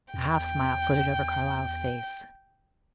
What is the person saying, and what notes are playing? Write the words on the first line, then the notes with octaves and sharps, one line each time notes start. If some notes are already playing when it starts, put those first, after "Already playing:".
A half smile flitted over Carlyle's face.
E2 G5